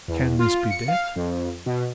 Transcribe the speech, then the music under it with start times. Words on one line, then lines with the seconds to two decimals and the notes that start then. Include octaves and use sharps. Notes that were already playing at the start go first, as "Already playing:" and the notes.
'Can this be death?
0.08 E2
0.39 F4
0.70 C#7
0.88 F5
1.16 F2
1.66 B2